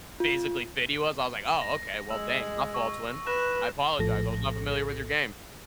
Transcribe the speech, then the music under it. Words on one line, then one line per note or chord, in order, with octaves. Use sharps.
physically fit he was. I was like, "Oh, okay. Well, dang." No fault to him. "I apologize. I was not familiar with your game."
F4
A#6
G#3 E6
C#6
B4 F#6 A#6 E7
A#1 A2 F3 A4 A#6